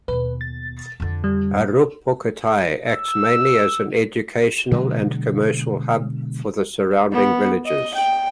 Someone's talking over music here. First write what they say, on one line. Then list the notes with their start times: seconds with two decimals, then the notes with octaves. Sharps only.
Aruppukottai acts mainly as an educational and commercial hub for the surrounding villages.
0.08 D#2 B2 B4
0.41 A6
1.00 F2 D3
1.24 G3
2.88 E6
4.71 B2 D3 F#3 G#3
7.12 B3
7.66 D#5
7.94 G5